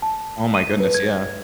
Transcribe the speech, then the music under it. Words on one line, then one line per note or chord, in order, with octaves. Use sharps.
Oh, my goodness, yeah.
A5
D#7
B4
G#6